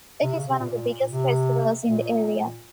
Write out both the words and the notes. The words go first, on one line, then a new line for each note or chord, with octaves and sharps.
It is one of the biggest festivals in the area.
C3
C#3
C3
A#2
A#2
C3
A#2